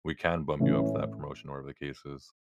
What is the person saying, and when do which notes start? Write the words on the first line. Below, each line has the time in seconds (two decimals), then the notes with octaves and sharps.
we can bump you up for that promotion," or whatever the case is.
0.60 A2 E3 A3 C#4 E4